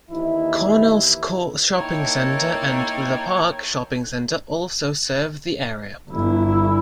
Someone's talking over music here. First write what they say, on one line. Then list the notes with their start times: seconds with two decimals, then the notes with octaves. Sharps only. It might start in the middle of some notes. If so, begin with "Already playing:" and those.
Cornelscourt shopping centre and "The Park" shopping centre also serve the area.
0.10 D#2 E3 D#4 E4
1.77 A#3 D#4 E4 C#5 G5 A5
6.09 G1 E4